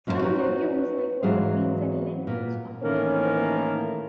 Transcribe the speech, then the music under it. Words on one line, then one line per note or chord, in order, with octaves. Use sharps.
Some legumes, like white beans and lentils are particularly good.
F#2 F3 A#3 A#4 C#5 A5
D#4 F#4 A#4 B4 C#5
G#2 E3 F#3 G#4 F5
A#2 A#3 B3
A2 D#3 E3 A#3 C#4